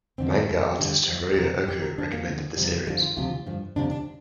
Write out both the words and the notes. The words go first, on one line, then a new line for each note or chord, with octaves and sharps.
Manga artist Hiroya Oku recommended the series.
F2 D3 F3 C4
F2 F3
G2 D3 F3 G4
F2 F3
G4
F2 C3 F3 A#4
F2 F3 G4
A#4
F2 F3 D4
A#3
D2 D3 F3
F2 C3 F3 G3
F3
D2 D3 F3 G3
F4
D2 C3 F3 F4
G2 F3
D2 C3 F3 D4
D4